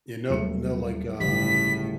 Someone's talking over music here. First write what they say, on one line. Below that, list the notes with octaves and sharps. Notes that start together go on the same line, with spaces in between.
You know no, like, uh,
D#1 F#3 A3 C#7
G1 A2 C#3 G4 B6